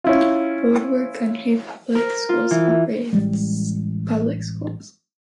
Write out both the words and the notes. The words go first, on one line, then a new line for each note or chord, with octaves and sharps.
Broward County Public Schools operates public schools.
C#4 E4 F4
A#4
F4
E3
A1 G3 G#3